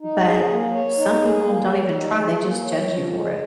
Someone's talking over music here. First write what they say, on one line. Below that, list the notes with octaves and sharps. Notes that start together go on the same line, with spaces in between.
but some people don't even try, they just judge you for it.
D#4
G#4
A#3
C#5
D#4
G#4
A#3
C#5
D#4
G#4
A#3
C#5
F3
G#3